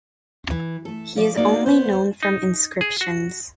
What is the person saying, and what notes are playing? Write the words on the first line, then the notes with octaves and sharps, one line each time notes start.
He is only known from inscriptions.
E3
A3 A4
F3 D5
A#3 D#4 F#4 D5
B3 C5 D5
D#4
G#4
F#4